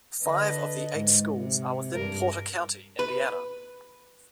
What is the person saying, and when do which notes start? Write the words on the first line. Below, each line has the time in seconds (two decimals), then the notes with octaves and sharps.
Five of the eight schools are within Porter County, Indiana.
0.22 D3 B4 D#5
0.95 G#2
1.27 C3
1.93 G2 A#4
2.99 B4